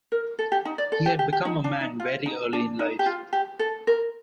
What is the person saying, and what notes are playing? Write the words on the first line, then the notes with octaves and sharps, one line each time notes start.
He had become a man very early in life.
A#4
A4
G4
D#4
D5
A4
G4
G4
G4
D#4
D4
D#4
F4
D#4
D4
D#4
G4
F4
G4
A4
A#4